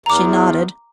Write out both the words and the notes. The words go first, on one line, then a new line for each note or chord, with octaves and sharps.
She nodded.
E2 A#5 D6